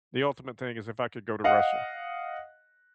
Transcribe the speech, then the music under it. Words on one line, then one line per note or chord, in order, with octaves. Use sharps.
the ultimate thing is if I could go to Russia.
D#5 F5 F#5